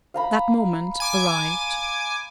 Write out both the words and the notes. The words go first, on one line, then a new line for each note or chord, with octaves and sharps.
That moment arrived.
F5 A#5 B5
G#5 D6